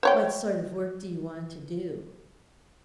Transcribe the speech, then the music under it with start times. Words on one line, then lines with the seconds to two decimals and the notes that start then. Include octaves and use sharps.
"What sort of work do you want to do?"
0.03 C5 C#5 G5